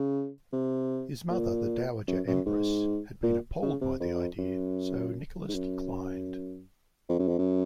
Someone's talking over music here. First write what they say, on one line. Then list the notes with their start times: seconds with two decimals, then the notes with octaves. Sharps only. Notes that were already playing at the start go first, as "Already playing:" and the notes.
His mother, the dowager empress, had been appalled by the idea, so Nicholas declined.
Already playing: C#3
0.53 C3
1.30 A#2
2.08 F#2
2.27 F#2
2.46 G#2
3.23 A#2
3.63 C#3
3.81 C3
4.00 F2
4.39 F#2
5.49 G#2
5.55 F#2
7.09 F2
7.20 F#2
7.28 F2
7.39 F#2